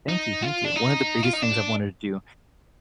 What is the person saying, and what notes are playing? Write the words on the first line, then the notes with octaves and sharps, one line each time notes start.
Thank you, thank you. One of the biggest things I've wanted to do
D#4
F4
D4
D#4
F4
D#4
D4